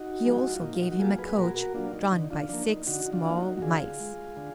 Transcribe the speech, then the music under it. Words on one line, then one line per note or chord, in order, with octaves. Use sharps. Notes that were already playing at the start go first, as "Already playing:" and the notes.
He also gave him a coach, drawn by six small mice.
Already playing: D#4 F#4
F3 G#3
F4
A#2 D#4
F4
D#4 F#4
F#4
F#3 A#3 F4 G#4
G#4 B4
A#2 F#4 A#4
F#4 A#4
F#3 A#3 D4 F4
D#4
D3 D#4
D4 F4
F3 A#3 D4
D#4
D3 D#4 F#4
D#4
D4 F4
F3 A#3
D#4 F#4
F#4
D3 F4 G#4
G#3
D3